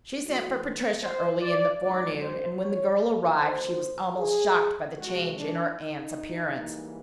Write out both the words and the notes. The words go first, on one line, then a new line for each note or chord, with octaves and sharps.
She sent for Patricia early in the forenoon, and when the girl arrived she was almost shocked by the change in her aunt's appearance.
G#2 E3 A3 F#4
B4
C5
D5
F#2 D#3 G#3 D5
C5
C#5
G2 D3 F#3 A#3 C5
G#4
C3 F3 G#3 F#4
D4
D#4
G#2 E3 G3 A#3